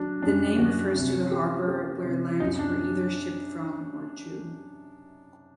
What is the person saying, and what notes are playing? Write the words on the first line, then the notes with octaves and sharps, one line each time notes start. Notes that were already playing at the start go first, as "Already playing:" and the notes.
The name refers to a harbour where lambs were either shipped from or to.
Already playing: F#3 D4 F#4
F#2 D4
F#3 F#4
C3
G4
G4
C3
F#2 D#4
D4